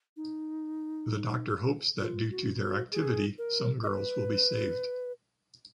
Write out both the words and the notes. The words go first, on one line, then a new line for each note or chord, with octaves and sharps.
The doctor hopes that due to their activity some girls will be saved.
D#4
F4
F#4
F#4
G#4
A#4
D#5
B4